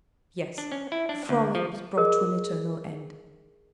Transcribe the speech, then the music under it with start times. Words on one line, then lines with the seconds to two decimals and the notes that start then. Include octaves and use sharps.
Yes; her frolic was brought to an eternal end.
0.58 D4
0.72 C#4
0.92 E4
1.09 D4
1.29 D2
1.55 F3
1.97 G#4 A#4 D#5